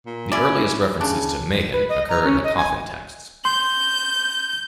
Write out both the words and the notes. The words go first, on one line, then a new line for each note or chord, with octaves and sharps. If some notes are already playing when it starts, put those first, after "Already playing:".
The earliest references to Mehen occur in the Coffin Texts.
A#2
C#4 E4 D5
C#3 D4
B4
D#5
A#5
C#4
D#5
G#5
C6 G6